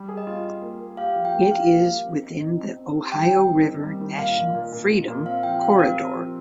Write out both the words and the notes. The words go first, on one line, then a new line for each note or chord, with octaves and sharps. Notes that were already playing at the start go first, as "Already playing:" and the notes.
It is within the Ohio River National Freedom Corridor.
Already playing: G3
G#4
D#5
F4
F4
A#3
A#3
G4 F5
F3
G5
A#3
G4 F5
A#3
A#3
C4
D#4
D#4
C4
C4
G4
G3 G5
D#3
C4
D#3
G3
D#3
A#2 F5
A#2
A#2
A#2
A#2
A#2
C4 F5
F3 G5
G4 F5
C4 A#4
C4
F3